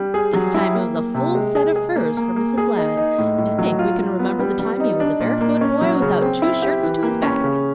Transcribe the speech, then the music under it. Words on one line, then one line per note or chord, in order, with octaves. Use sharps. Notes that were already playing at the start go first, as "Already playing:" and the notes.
This time it was a full set of furs for Mrs. Ladd; and to think we can remember the time he was a barefoot boy without two shirts to his back!
Already playing: G3
G#4
F#3
E4
A#3
A#3
C3
G#3
G#4
G#4
A#3
A#3
A#3
G#4
D#4
D#4
A2
A2
F#3
F4
F4
B3
G3
G3
D#4
D4
A#2
A#3
C#4
F#3
C#3
C4
E4
G4
E3
A#3
C#4
C#3